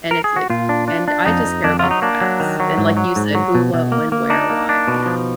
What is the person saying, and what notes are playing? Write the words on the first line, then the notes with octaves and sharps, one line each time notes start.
and it's like and, I just care about the facts, and like you said, "Who, what, when, where, why," you know?
A#4
G#4
F#4
A#2 F4
D4
D4
D4
F2 D#4
F2
F2 D4
F#3 F4
D#4
A#3 D4
F#3
D#3
F#3
G#2
F#3
G#2
F#3
B2
B2
A#3
A#3
D4 D#4
A#3
D4
B2
F3